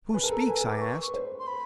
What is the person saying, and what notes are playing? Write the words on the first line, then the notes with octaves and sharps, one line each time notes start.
"Who speaks?" I asked.
B4 G#5
A#4 A5
A4 A#5
A5
B4 G#5
A#4 G#5
D6
B4
C#6
B4
C5
C6
B5